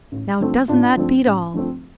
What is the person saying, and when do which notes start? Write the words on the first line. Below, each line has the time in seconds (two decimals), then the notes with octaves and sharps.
Now, doesn't that beat all?
0.12 A1
0.40 G2 F3 A3 C4
0.68 A1 D4 F4
0.97 G2 F3 A3 C4
1.26 A1
1.54 G2 F3 A3 C4